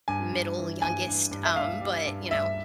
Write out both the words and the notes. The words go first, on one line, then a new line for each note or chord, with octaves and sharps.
middle youngest, um, but, you know,
G2 G#5
G2
E3
G2 G#5
G2
G2
E5
G2 F5
G3
G2
G2 E5